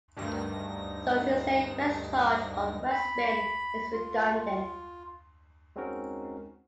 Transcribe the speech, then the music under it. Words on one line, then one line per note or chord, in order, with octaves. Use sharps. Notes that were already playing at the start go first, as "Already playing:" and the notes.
So, to say "rest charge" or "rest spin" is redundant.
D2 G2 D#3 A#6
B5
F4
G#3 C4 C#4 D#4 F#4 A#4